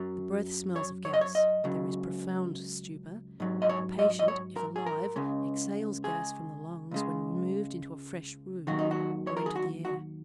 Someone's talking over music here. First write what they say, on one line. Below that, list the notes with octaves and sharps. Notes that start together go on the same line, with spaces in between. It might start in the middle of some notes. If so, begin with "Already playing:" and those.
The breath smells of gas; there is profound stupor; the patient, if alive, exhales gas from the lungs when removed into a fresh room or into the air.
Already playing: F#2 F#3
C#5
C#5
D#5
C#5
D#5
C#2 C#3 F#3
G#2 F#3
D#5
C#5
D#5
D#5
C#5
A#4
G#4
A#4
C#2 C#3 G#3
G#4
C#2 C#3 G#3
D#2 D#3 F#3 F#4
D#4
F#4
C#5
A#4
G#4
F#4
F#4